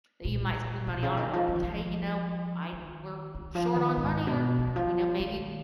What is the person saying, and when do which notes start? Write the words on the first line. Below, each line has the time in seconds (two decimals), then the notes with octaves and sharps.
that you might spend money on, and like, "''Kay," you know, "I we're short on money," or, you know, "Maybe
0.25 A#2
0.87 B2
1.03 C#3
1.17 D#3
1.33 F3
1.49 F3
1.56 D#3
1.63 F3
2.73 D#3
3.35 D#3
3.55 F3
3.76 D#3
3.97 G#2
4.27 B2
4.59 F3
4.67 D#3
4.76 F3
5.20 D#3